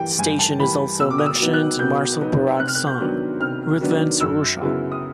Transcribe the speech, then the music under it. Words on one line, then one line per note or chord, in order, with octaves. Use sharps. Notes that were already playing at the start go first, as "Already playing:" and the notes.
The station is also mentioned in Marcel Borrack's song "Ruthven to Rushall".
Already playing: G2 E3 G3 G5
G2 G#5
A5
E3 G3 B5
B2 E6
D6
D#6
E6
F#3 B3 D#4
F#6
B2 G6
F#3 B3 D#4
C3 F#6
F6
F#6
G6
D#3 F#3 B3 D4
C3 F6
D#3 F#3 B3 D4
F#2 E6
C#3 F#3 B3 E4
D#6